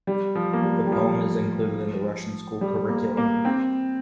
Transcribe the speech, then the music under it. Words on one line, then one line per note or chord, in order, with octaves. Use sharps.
The poem is included in the Russian school curriculum.
G3
F3
A#3
G3
G3
F3
G3
A#3
A#3
C4